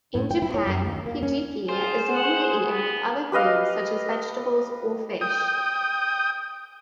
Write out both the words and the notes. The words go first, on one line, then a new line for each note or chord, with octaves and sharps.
In Japan, hijiki is normally eaten with other foods such as vegetables or fish.
A2
G5
E4
C#5
F#2
D#2
A#3
C#4
F4 G#4 C5
F#5
B3
G4 B4 D#5 F5
G5 D#6